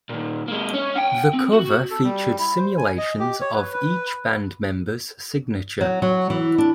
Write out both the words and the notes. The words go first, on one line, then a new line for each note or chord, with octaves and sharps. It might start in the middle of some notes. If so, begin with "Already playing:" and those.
The cover featured simulations of each band member's signature.
A#2 D#3
G#3 A#3
C#4
F#5 G5
C4
F#4
A4
G3
E4
C5
G#5
D#5
G4
C#5
B4
B4
F#3
F#3
E3
D4